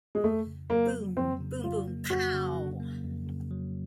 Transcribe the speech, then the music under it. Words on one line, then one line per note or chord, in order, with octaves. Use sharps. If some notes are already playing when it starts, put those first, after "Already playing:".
Boom boom-boom pow!
G#3
F2 A3
C#3
F#3 A#3
A#3
F2 C4
C#3
F#3 F4
A#3
F2 F#4
C#3
F#3
A#3
F2
C#3
F#3